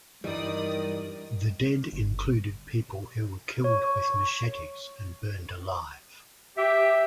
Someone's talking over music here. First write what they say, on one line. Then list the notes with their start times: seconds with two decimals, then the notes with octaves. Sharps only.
The dead included people who were killed with machetes and burned alive.
0.24 G2 D#3 E3 G3 D5 D#6
1.93 G1
3.64 C#5 C#6
6.57 G4 E5